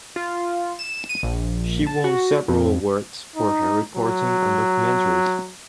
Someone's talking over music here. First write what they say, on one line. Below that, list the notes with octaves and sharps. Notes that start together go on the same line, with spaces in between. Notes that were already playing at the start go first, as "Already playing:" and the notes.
She won several awards for her reporting and documentaries.
F4
E7
D#7
A#1
A5
F#4
F2
D#4
F#3